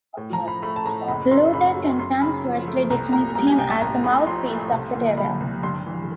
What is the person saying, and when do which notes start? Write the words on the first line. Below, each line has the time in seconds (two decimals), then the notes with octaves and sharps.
Luther contemptuously dismissed him as a mouthpiece of the devil.
0.17 A2
0.33 A#5
0.40 F3
0.48 B5
0.62 A3 B5
0.76 A5
0.85 A2 A#5
1.08 F#1 B5
1.31 F#2 C6
1.53 C#3 B5
1.76 F#3
1.99 F#2 C6
2.22 C#3 B5
2.45 F3
2.68 A3
2.90 C2 A#5
3.13 A#2 A#5
3.35 G3 A#5
3.47 G#5
3.58 C2 G5
3.70 A5
3.81 A1 A#5
4.04 A2 B5
4.27 F3 C6
4.49 A3
4.72 C2
4.95 A#2
5.17 G3 B5
5.40 C2
5.63 G2 C6
5.86 E3